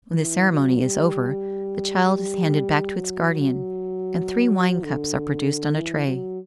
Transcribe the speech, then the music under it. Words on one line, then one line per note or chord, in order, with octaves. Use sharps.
When this ceremony is over, the child is handed back to its guardian, and three wine-cups are produced on a tray.
E3
F#3
G3
G3
F#3
D3
E3
F#3